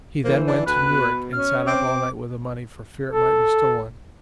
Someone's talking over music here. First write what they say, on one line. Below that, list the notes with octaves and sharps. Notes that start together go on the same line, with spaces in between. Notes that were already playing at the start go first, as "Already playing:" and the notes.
He then went to Newark and sat up all night with the money for fear it might be stolen.
E3 A#3 C5
D4
D2 B4 F#6
B2
C#4 F6
C4 D6
A4